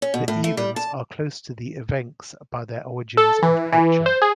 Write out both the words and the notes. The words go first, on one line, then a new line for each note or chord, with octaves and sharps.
The Evens are close to the Evenks by their origins and culture.
C#4
B2
A2
A3
G3
A5
A4
E3
E3
C5
G#4